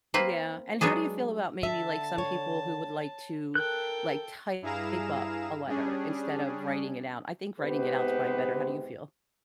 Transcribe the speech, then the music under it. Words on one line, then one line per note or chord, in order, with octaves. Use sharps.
Yeah, and how do you feel about maybe, like, some people who would like to, like, type up a letter instead of writing it out? I think writing it out's probably better. How do you feel?
A#3 C4 B4
F#3 G#3 B3 D4 G#4
D3 E5 A5
C#5
A4 A#4 G5 F#6
G2 E4 G#4 F5 A#5 E7
G3 C#4 D4 G#4
G#2 C3 B3 G4 B4 C5